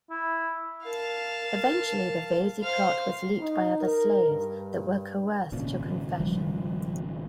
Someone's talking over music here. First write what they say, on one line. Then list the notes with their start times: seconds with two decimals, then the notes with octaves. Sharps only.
Eventually, the Vesey plot was leaked by other slaves that were coerced to confession.
0.11 E4
0.85 A#4 F5 A5
2.62 C5 F5
3.41 D#4
3.81 A#4
4.31 G2
5.52 G#1 A#2 C#3
6.20 F3 G3